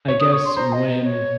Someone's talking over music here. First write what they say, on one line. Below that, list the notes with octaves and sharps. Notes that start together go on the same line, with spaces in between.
I guess when,
C#5
D#6
C#5 C#6
C6
C5 A#5
D#5
D#5
C#5